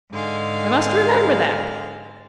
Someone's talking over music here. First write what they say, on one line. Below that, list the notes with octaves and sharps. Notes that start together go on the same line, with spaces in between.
I must remember that.
G#2 D3 G#3 F5